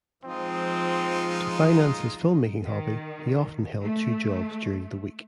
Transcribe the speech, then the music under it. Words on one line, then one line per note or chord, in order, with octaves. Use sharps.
To finance his filmmaking hobby, he often held two jobs during the week.
F3 G#3 C4 D#4 F4
D#3
A3